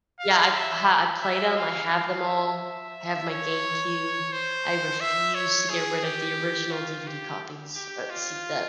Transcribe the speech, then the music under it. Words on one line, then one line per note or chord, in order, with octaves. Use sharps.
Yeah, I've ha I've played 'em. I have them all. I have my GameCube. I refuse to get rid of the original DVD copies. Uh, see that
F5
E5
E5
F5
E5
C#5
C5
E5
C#5
G#4
G4
F4
G4
G4
F4